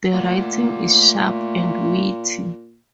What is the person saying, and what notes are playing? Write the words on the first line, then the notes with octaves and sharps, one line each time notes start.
The writing is sharp and witty.
A#2 A3 F#5